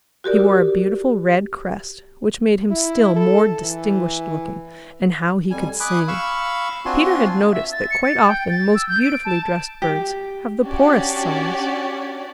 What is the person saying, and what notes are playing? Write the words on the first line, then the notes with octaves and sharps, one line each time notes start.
He wore a beautiful red crest which made him still more distinguished looking, and how he could sing! Peter had noticed that quite often the most beautifully dressed birds have the poorest songs.
F#4 G4 A#4 D5
E4
A4
E3
F2 G3 G#5
G#5 B5 D6 D#6 F#6
F5 B5 C#6 E6
C4 D4 F4 F#4 G#5 C6
E5
A6
C#7
A6
G5
A6
E6
G6
D7
A5
G4
C#4 D4 F#4 G4 C#5 D5